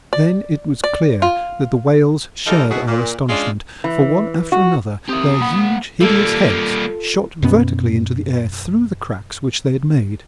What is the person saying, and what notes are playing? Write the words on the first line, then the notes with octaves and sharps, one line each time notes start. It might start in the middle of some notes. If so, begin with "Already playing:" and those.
Then it was clear that the whales shared our astonishment, for one after another their huge hideous heads shot vertically into the air through the cracks which they had made.
D5
D5
F4
E3 F3 G3 D#4 A4 A#4
B2 B3 D#4 E4 F#4 G#4
A#2
G#3 C#4 D4 F4
E3
F#4
C4 G4 A#4 E5 D#6
B1 A#3 F#5 B5
G3 A#3 F4 A4
F#2 B2 B3 C#4